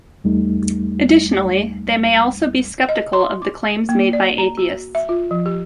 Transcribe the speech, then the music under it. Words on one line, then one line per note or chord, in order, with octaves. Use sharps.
Additionally, they may also be skeptical of the claims made by atheists.
E2 G3 A3 D#4
D#5
C6
D6
A#3
D5
A#5
F#4
E5
F4
F3
G4